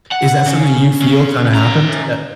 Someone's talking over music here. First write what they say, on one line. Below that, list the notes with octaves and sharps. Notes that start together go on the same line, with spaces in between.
Is that something you feel kinda happened? Eh
F#5
C#3
C#3 C#4
C#3 A#5